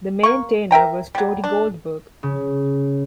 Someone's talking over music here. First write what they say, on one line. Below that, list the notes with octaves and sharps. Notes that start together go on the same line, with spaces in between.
The maintainer was Jody Goldberg.
A#3 C#6
A#4 E5 G5 A#5
F#3 G3
D4
C#3